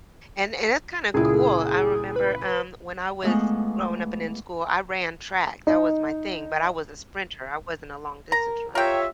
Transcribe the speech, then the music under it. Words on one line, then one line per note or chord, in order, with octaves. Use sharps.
And and it's kinda cool. I remember, um, when I was growing up and in school, I ran track. That was my thing, but I was a sprinter. I wasn't a long-distance runner,
C#2 A#2 E4 G#4
B4
E3 F3 G#3 A3 B3
D#4
A#4 A#5
F4 G4 A#4 C#5 E5 G5